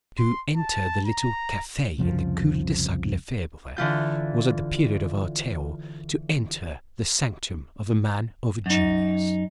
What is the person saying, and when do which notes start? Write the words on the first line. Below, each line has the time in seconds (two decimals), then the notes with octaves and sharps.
To enter the little Cafe in the cul-de-sac Le Febvre was, at the period of our tale, to enter the sanctum of a man of genius.
0.18 C6
0.56 A5
1.05 A#5
1.98 C2 F2 C#3 F3
3.77 D3 E3 F4 G6
8.66 F#2 D#4